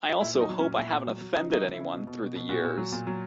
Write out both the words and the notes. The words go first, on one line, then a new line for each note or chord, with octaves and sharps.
I also hope I haven't offended anyone through the years.
A#2 E4
F#3
D#4
F#3
C#4
A#2
A#2 E4
A#2
F#3
F#3
C#3 D#4
F#3 D#4
C#3
C#3 E4
B2
B2
B2
B2
A#2 F#4
A#2
F#3
A#2
F#3